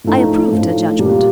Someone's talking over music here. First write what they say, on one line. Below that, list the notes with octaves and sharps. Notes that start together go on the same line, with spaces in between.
I approved her judgment.
A2 F3 A3 D#4
A2 F3 A3 D#4
A#2 G3 A#3 F4